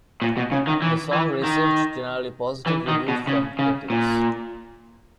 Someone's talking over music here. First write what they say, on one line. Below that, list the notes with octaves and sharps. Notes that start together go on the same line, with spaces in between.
The song received generally positive reviews from critics.
A#2
B2
C#3
D#3
E3
E3
D#3
E3
D#3
B2
C#3
C#3
A#2